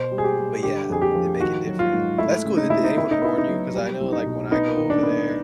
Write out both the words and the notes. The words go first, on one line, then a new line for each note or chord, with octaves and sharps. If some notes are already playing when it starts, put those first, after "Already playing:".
but, yeah, they make it different. That's cool. Did anyone warn you? 'Cause I know, like, when I go over there,
Already playing: B2 C5
G3
G#4
G4
G3
D3 G4
F2 G#4
G4
F3
D#3 F#4
F#3
F4
G#2
A3 E4
C#3
D#4
C#3 E4
D#4
B3 E4
D#4
B3 E4
D#4
F#3
G3
C2
D#4
B2
B3 D#4
D#3
D4
B3